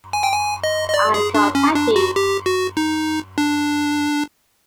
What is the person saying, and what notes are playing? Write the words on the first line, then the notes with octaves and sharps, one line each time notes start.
I called Patti.
G#5
G5
G#5
D#5
D#5
D5
G#4
D4
C#4
D4
F#4
G4
F#4
D#4
D4